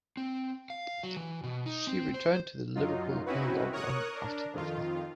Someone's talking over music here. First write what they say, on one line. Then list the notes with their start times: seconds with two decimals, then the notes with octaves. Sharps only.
She returned to the Liverpool - New York run after the war.
0.17 C4
0.70 F5
1.03 F#3
1.17 E3
1.43 B2
1.66 D#4
1.87 C4
2.14 C5
2.75 F#2 F#3 D#4 F4
3.26 C4 C#4 D#4 E4 F#4 B4
3.72 A#4 C#5 C#6 D#6 F#6
4.12 D4 A#4
4.53 F2 D#3 F4